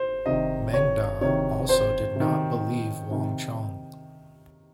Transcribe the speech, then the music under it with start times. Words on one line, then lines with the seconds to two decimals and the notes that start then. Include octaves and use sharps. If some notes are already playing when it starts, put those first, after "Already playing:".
Meng Da also did not believe Wang Chong.
Already playing: C5
0.26 C3 D#3 D#5
0.74 C#5
1.21 C3 D#3 C#5
1.69 C5
2.15 C3 D#3
3.11 C3 D#3